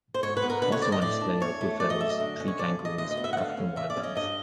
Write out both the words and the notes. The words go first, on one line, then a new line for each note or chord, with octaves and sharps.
Also on display are Goodfellow's tree-kangaroos, African wild dogs.
C5
G#2 C#5
B4
B3
A#4
D3 B4
C#5
C4 D5
D#5
A2 D5
D4
E2 C#5
A3
F#2 D5
D#5
F#2 E5
D#5
D3
C#4
C#5
F2 D5
F2
D#5
D2 D#5
D#5
B3
E5
F#5
D3 F5
C#4
C#3 E5
D5
C#4
D#5
G2 D#5